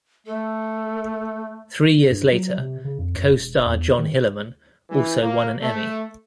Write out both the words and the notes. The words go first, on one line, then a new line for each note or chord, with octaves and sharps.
Three years later, co-star John Hillerman also won an Emmy.
A3 A4
G2
F#3
C3
C#3
F2
F#2
E1
E2
D#3
E3
A#3
A3